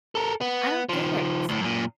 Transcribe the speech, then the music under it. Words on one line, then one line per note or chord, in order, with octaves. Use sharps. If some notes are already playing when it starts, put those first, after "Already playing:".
I don't get it.
A4 A#4
B3
D#3 F3
D2 A2
F#2 A#2